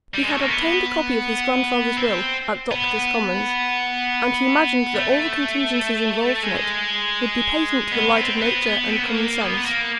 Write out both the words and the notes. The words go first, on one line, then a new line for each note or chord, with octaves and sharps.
He had obtained a copy of his grandfather's will at Doctors' Commons, and he imagined that all the contingencies involved in it would be patent to the light of nature and common sense.
G3
G#3
A3
A#3
B3
C4
B3
A3
G#3
B3
C4
B3
B3
C4
B3
A#3
B3
A#3